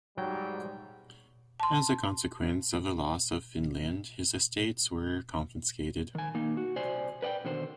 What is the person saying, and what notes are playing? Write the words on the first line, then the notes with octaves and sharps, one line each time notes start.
As a consequence of the loss of Finland his estates were confiscated.
G#2 F#3 G3 G5
A5 C6
D#3 G#5
D#3 A#3 D#4
F#4
C3 C5 D5 G#5
B4 D5 F#5 G5
B2 D3 D#3 C5